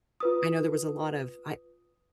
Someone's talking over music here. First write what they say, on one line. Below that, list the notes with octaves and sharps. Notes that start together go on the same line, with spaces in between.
I know there was a lot of I
F4 B4 D#6